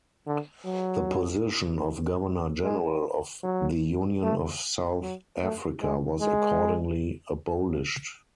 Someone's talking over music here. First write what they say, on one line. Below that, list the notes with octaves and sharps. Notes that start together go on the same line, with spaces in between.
The position of Governor-General of the Union of South Africa was accordingly abolished.
D3
F#3
G#3
F#3
A3
F#3
A3
G#3
G#3